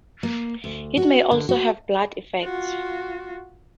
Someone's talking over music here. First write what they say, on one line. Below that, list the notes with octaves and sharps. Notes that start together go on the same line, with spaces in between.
It may also have blood effects.
A#3
D2
F#4
D3
F#4
F4 F#4